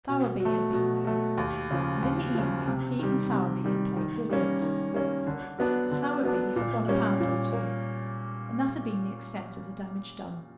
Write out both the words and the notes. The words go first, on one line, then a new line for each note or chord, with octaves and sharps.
Sowerby had been there, and in the evening he and Sowerby had played billiards. Sowerby had won a pound or two, and that had been the extent of the damage done.
B2
F#3
A3
B2
F#3 A3
D#2
C#3 F3
D#2
C#3 F3
C3
D#3 G3
C3
D#3 G3
D#3
G3 A#3 C#4
D#3
G3 A#3 C#4
D3
F#3 B3 D4
D3
F#3 B3 D4
A#2
G3 A#3 C#4
A#2
A#3